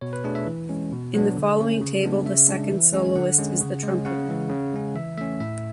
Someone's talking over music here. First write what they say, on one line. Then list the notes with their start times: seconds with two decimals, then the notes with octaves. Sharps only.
In the following table, the second soloist is the trumpeter.
0.01 B2 C#5
0.13 B4
0.24 A3 D4 G#4
0.35 E5
0.46 E3
0.69 G#3 C#4
0.92 B2
1.14 F#3 B3 D4
1.37 D3
1.59 A3 C#4
1.81 C#3
2.03 G#3 B3 D4
2.26 C#3 E5
2.48 G#3 D4
2.71 E3
2.93 G#3 C#4
3.16 D3 F#5
3.38 G#3 C#4
3.61 C#3
3.83 G#3 C#4
4.05 C#3 F#5
4.28 E3 G#3 C#4
4.50 C#3
4.73 G#3 C#4
4.95 E3 E5
5.18 A3 C#4 E5
5.40 A2 E5